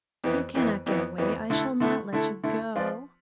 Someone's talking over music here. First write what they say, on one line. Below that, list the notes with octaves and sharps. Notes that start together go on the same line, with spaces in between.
You cannot get away, I shall not let you go....
F2 E3 B3
F2 E3 B3
F2 E3 B3
F2 E3 B3
D3 A3 E4 A4
D3 A3 E4 A4
D3 A3 E4 A4
D3 A3 E4 A4
F3 C4 F4 B4 D5